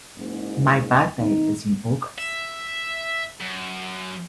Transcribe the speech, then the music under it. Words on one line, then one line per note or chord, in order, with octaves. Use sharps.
My birthday is in August.
F#1 G#2
A2 D#3 B3 C4 D#4
E5
F#2